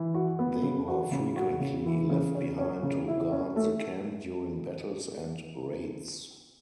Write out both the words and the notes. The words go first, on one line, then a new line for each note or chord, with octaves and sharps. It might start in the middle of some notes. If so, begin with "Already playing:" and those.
They were frequently left behind to guard the camp during battles and raids.
Already playing: E3
F#4
B3
C#3
F#4
C#3
F#4
C#3
E3
C#3
C#4
C#4
C#3
E4
C#4
A3